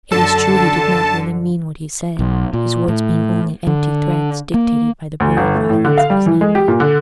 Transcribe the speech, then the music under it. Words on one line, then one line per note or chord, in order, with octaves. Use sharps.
It is true he did not really mean what he said, his words being only empty threats dictated by the brutal violence of his anger.
F#2 D3 A4 A5
B1
A#2
A2
D3
A#3
D2
G1
A3
A2
D3
F5
G3
E3
G#3
G4
A#2
D3